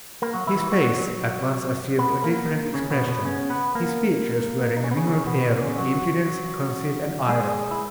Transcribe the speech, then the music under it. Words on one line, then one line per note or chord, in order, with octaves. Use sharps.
His face at once assumed a different expression, his features wearing a mingled air of impudence, conceit, and irony.
A#3 A#4
F#3 F#4
E3 E4
E3 E4
F#3 F#4
B3 B4
A#3 A#4
C#3 C#4
B2 B3
B2 B3
C#3 C#4
B3 B4
A#3 A#4
D#4
C#4
B3
C#3 C#4
B2 B3
A#2 A#3
C#3 C#4
F#3 F#4
G#3 G#4
E4